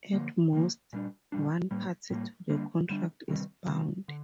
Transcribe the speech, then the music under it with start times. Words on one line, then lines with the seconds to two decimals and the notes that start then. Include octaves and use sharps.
At most, one party to the contract is bound.
0.13 D3 F3 A#3
0.53 D3 F3 A#3
0.93 A#2 G3 D4
1.32 A#2 G3 D4
1.71 A2 G3 A#3
2.10 A2 G3 A#3
2.50 D3 G3 A#3 D4
2.89 D3 G3 A#3 D4
3.28 C3 D#3 G3 C4
3.68 C3 D#3 G3 C4
4.08 D3